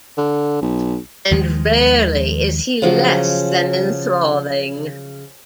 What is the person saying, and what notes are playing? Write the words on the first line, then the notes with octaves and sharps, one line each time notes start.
And rarely is he less than enthralling.
D3
B1
D#2 D#3 F3 G#3
C#3 F3 F#3